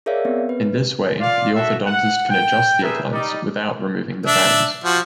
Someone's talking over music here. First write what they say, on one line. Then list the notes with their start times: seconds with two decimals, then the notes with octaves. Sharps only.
In this way the orthodontist can adjust the appliance without removing the bands.
0.06 G#4 A#4 C#5 D5 E5 F5
0.25 B3 C4
0.49 B4
1.20 F4 D5 F5
1.55 D4 F#4 A4 E5
1.86 F#5
2.31 G5
2.82 G3 A3 G#4 A#4 B4 E5
3.12 G3 D#4 D5
4.26 D4 E5
4.84 F3 F#4